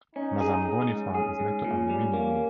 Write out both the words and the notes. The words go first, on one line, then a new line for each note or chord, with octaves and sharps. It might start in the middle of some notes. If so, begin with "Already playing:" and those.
Mazamboni Farm is next to Aruwimi Wood.
C#4 D#4
G#4
G#4
G#2 C#4
G#4
G#2
A#2
G3
A#3